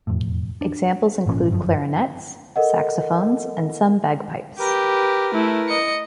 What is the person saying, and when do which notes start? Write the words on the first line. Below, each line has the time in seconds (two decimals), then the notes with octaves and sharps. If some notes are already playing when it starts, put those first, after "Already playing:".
Examples include clarinets, saxophones, and some bagpipes.
0.07 E1 F2 A2
0.61 D4
1.26 G#1 A#2 F3 C#4
1.50 G1 F#2 F3
2.56 A4 A#4 D#5 F#5
4.59 G4 A#4 B4
5.33 A3 E4
5.69 D#5 C#7